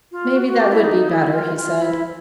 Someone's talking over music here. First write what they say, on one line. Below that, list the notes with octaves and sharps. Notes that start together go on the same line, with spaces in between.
"Maybe that would be better," he said.
F4
F#4
F#4
G4
E4
D#4
E4
F4
F4
E4